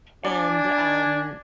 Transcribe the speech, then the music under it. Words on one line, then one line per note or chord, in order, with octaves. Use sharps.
and, um,
D4 D5 G#5